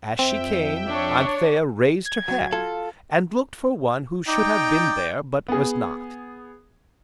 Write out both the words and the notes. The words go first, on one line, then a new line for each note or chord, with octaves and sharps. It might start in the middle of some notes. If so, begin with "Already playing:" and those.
As she came, Anthea raised her head, and looked for one who should have been there, but was not.
F2 C4 E5 G5
D4 C#5
G#6
F#3
F4 A4
D#4 D5 G5
B3 G#4